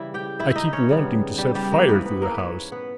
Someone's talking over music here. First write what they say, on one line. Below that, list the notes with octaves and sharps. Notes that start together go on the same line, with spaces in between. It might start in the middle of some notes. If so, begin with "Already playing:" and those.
I keep wanting to set fire to the house.
Already playing: C#3 E3 G3 E4 E5
G4 G5
E4 E5
E5
D#4 D#5
C#4 C#5
C#3 G3 B3
G3 G4
G3 G4
A#3 A#4
G#2 E3 A#3 B3 B4
B3 B4
A#3 A#4
C#4 B4 C#5
B3 B4